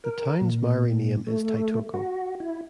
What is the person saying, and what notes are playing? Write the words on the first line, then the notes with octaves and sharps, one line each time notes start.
The town's Maori name is "Taitoko".
A#4
A#2
A3
F#4
E4